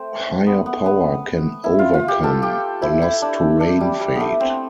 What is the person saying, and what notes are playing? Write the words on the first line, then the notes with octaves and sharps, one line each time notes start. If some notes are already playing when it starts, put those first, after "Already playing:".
Higher power can overcome the loss to rain fade.
Already playing: A3 C4
B3
B3
B3
E4
F4
F4
G4
A4
G4
E4
E4
D4
D4
G3
G3
B3
A3
C4